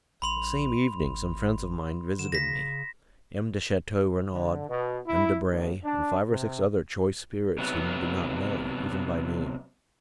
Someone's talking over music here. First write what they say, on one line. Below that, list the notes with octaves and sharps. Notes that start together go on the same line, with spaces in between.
The same evening some friends of mine visited me,--M. de Chateau-Renaud, M. Debray, and five or six other choice spirits, whom you do not know, even by name.
A#1 B5 C6 F7
G#1
D3 E7
C#3 A#6 B6
D3
B2
E4
D#2
D4
C3
C3 F#3 B3